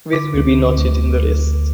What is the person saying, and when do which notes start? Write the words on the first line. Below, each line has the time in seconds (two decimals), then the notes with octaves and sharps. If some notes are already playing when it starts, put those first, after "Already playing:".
This will be noted in the list.
0.13 D3 D6
0.34 D2
0.55 D3
0.77 D2